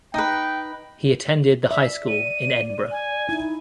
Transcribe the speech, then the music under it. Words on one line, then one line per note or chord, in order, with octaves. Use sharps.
He attended the High School in Edinburgh.
D#4 B4 G5
D5 E5
D#7
G#5
D#4 E4